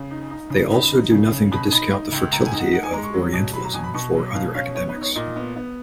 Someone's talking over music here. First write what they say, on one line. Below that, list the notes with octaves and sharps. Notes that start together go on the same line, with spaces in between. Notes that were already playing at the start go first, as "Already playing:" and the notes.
They also do nothing to discount the fertility of "Orientalism" for other academics.
Already playing: C#3
D#4
D#4
C#3
D#4 B5
D#4
C#3
C#3
B2 B5
D#4 B5
D#4
C#2
C#2 A#5
G#5
D#4
F#5
D#4 F#5
G#5
G#3 A#5
C#6
F#3
B2
F#3 B5
A#5
B2 G#5
B5
B2 C#6
F#3
B2 F5
C#4 F5
B3 C#5
B4
D#4
C#5
A#2 D#5
B3
B3